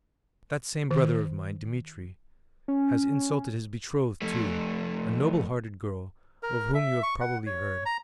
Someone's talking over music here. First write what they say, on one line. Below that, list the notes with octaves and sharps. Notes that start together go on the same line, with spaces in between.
That same brother of mine, Dmitri, has insulted his betrothed, too, a noble-hearted girl of whom you have probably heard.
D#3
C#4
F2 A3
A#4
E5
C#6
F#5
C#5
A#5